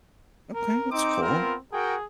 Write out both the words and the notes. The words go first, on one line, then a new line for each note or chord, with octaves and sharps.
Okay, that's cool.
A#4
C4 D#4 D6
B3 F4 A#4
F#4 G#4 A#4 G5